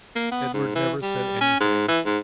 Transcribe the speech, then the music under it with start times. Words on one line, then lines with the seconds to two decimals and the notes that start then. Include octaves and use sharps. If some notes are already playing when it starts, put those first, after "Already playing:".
Edward never said anything.
0.16 A#3
0.31 B3
0.54 G#2
0.75 E3
1.02 G3
1.41 C#4
1.60 G#2
1.88 E3
2.05 G#2